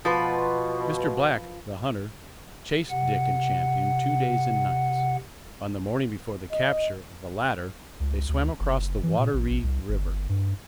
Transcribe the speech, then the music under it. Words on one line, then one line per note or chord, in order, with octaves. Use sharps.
Mr. Black, the hunter, chased Dick and Champion two days and nights; on the morning before the capture of the latter they swam across the Water-ree river.
B2 F3 F4 B4
C3 F#5
D#5
C#2
D2
F#1
E3
A#2
A1
A1
C2
G1
G2